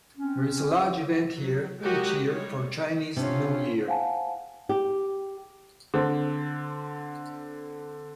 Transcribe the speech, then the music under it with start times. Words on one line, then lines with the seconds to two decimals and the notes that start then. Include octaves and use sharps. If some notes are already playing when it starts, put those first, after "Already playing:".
There is a large event here each year for Chinese New Year.
0.18 C4 C#4
1.40 F#3
1.81 F#3 G#3 F#4 G4 A#4 D#5
2.30 G3 G#3 C#5
3.16 C3 C#4 D4 F4 C#5
3.87 C5 F5 F#5 G#5 A5
4.69 G4
5.94 D3 C4